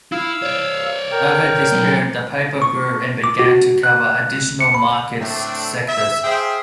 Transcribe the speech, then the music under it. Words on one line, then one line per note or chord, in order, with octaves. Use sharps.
Over this period the paper grew and began to cover additional market sectors.
E4 F5 E6
C#5 D5
A#4 G5
F#3 B3
C#6
D6
F#4
F#6
C#7
B5
A2 A3 C4 D4
E5
G#4 C5 E5 F5 G5